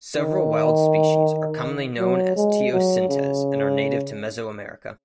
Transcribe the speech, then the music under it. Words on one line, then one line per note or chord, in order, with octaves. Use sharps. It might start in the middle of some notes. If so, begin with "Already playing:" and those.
Several wild species are commonly known as teosintes and are native to Mesoamerica.
D#3
F#3
G#3
F#3
C#3